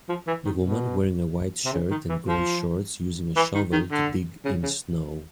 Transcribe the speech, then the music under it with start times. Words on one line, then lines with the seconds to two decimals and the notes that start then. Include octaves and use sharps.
A woman wearing a white shirt and gray shorts using a shovel to dig in snow.
0.09 F3
0.27 E3
0.45 D#3
0.63 B2
1.65 C3
1.73 C#3
1.91 D#3
2.09 E3
2.28 F3
3.36 E3
3.54 D#3
3.72 D#3
3.91 D3
4.45 C#3
4.63 C#3